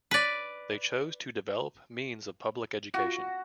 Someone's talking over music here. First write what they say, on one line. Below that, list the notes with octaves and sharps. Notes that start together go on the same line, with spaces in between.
They chose to develop means of public education.
B4 D5
F#4